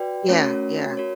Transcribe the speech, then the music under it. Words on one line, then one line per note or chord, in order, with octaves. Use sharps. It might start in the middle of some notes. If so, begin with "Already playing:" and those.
Yeah, yeah.
Already playing: F#4 B4 D5 G5
A3 C#4 F#4 A#4 C#5
F#4 A#4 C#5